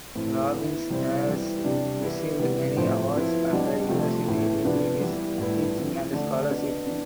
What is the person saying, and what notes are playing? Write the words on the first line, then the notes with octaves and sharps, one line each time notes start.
Robbins has received many awards at the university due to his teaching and scholarship.
A2 E3 A3 C4 E4
E3 B3 E4
C3 G3 C4 E4
E3 G3 B3 E4
C3 G3 D4
E3 B3 E4
C3 E3 G3 B3
A2 F3 C4
F3 B3 E4
B2 G3 D4
C3 F3 A3
A2 E3 B3 E4
C3 F3 B3 D4
E3 G3 B3 E4
A2 G3 B3 E4
F3 C4 E4
D3 A3 D4
B2 B3 D4
E3 B3 D4